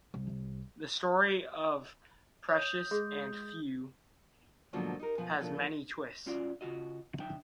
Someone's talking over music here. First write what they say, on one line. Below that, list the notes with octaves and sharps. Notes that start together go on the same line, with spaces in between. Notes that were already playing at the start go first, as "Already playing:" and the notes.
The story of "Precious and Few" has many twists.
C2
C#5 D#6 G6
G#3 G#4
G#2 B2 D3 F3 F#3 A#3
D#4 G4 A#4
B2 F3 G#5
A#2 D3 F3
G2 C#4 F4 F#4 D5
C#3 F4 F#4 D#5
B1 F#2 D4 D#4 E5 G5